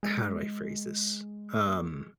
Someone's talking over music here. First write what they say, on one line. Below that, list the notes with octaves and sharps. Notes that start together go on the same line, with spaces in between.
How do I phrase this? Um,
G#3
A#3
G#3